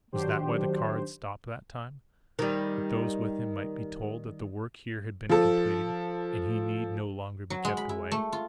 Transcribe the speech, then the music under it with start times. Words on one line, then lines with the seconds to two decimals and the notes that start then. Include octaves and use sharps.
Was that why the car had stopped that time--that those with him might be told that the work here had been completed, and he need no longer be kept away?
0.13 D#3 F#3 D4 G4 C5
2.39 D#3 G3
5.29 F3 A4
7.50 F#3
7.65 G#3
7.77 B5
7.89 E4
8.12 A3
8.33 F4